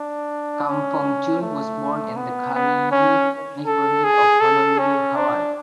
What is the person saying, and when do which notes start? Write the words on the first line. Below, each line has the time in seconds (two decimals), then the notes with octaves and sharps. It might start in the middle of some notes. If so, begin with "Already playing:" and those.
Kam Fong Chun was born in the Kalihi neighborhood of Honolulu, Hawaii.
Already playing: D4
0.68 C#4
1.42 A3
2.17 B3
2.55 B3
2.92 C#4
3.66 A4
4.04 G#4
4.41 A4
4.79 C#4
5.16 D4